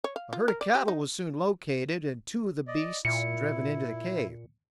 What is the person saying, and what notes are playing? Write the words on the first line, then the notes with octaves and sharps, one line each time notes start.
A herd of cattle was soon located and two of the beasts driven into the cave.
C#5
F5
F4
A#4
D5
G4
D#4
D5 D#5
A#2 E4 C#7